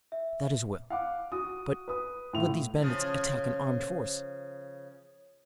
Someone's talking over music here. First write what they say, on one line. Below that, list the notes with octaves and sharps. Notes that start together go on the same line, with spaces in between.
"That is well: but would these bandits attack an armed force?"
E5
F5 F#5 D6
F#4 D#6
B4 D#6
A2 F4 F7
C#3 F3